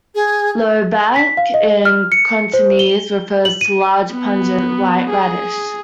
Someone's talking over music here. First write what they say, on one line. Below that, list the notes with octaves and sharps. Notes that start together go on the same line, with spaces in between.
"Lo bac", in Cantonese, refers to a large, pungent white radish.
G#4
B6
F5
D#5
F6
C#7
C5
G7
F#7
D#7
B3
G#4